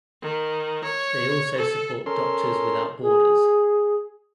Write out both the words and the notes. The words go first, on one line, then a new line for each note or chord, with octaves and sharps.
They also support Doctors Without Borders.
D#3
C#5
A4
C#4 A4 A#4 C6
G#4